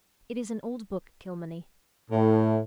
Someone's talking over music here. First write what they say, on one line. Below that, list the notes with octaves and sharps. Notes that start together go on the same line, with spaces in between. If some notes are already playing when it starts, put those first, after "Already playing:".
It is an old book, Kilmeny.
A2